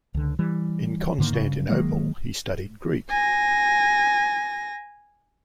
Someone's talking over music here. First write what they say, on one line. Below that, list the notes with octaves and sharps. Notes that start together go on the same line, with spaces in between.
In Constantinople he studied Greek.
C#2 D3
E3 G3
G#2 D3 D#3 A#3
G2 C#3
D#3 F#3 G#3 A#3
G#5 A#6